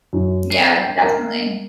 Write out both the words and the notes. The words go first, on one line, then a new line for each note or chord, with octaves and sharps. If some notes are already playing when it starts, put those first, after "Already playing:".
Yeah, definitely.
F#2
C7
G5
A#4